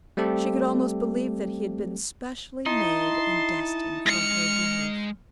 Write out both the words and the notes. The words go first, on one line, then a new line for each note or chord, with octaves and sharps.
She could almost believe that he had been specially made and destined for her behoof.
G3 A3 C4 G4 A4
D#4 E4 A5 C6
G#3 F6 C#7